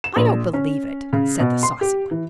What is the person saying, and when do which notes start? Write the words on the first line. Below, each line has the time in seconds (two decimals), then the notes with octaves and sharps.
"I don't believe it," said the saucy one.
0.04 E7
0.16 A#1
0.54 C#4
1.13 C#3
1.40 B2
1.63 C6
1.81 G4
2.11 E3